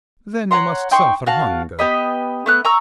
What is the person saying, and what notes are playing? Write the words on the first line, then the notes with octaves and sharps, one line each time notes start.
"Then you must suffer hunger."
C#5 F#5 A#5 C6
D#4 G5 C6 C#6
F#4 F5 A5
B3 G4 D#5 B5
A3 B3 F#6
A#5 C#6 E6